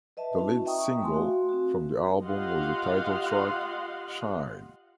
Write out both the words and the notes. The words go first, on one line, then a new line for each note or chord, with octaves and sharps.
The lead single from the album was the title track, "Shine".
B4 D#5 E5 A5
C#4 E4 F#4 A5
D#5 E5 G5 A#5 C#6 D#6
A3 G#5 C6
F#4 F5
C4 F#4
F4 G4 D#5 F5 F#5 C6